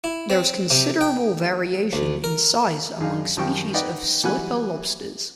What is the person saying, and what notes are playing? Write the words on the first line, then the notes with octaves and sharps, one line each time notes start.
There is considerable variation in size among species of slipper lobsters.
E4
C4
C3
G5
D2
A#4
F#2 D4 D#4 G#4 F5
F#2 D#3 F3 G3 G5 C#6
D#4 B4 D5 D#5 F#5 G5
E3 F#3 G3 F#5 G#5 F#6